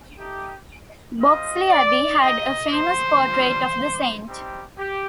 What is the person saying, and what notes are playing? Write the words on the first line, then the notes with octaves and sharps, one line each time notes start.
Boxley Abbey had a famous portrait of the saint.
A3 D#4 G4
G3 C4 F4 D#5
D5
C4 D#4 G4 D#5
C5
G3 D4 F4
G3 C4 D#4 G4
G4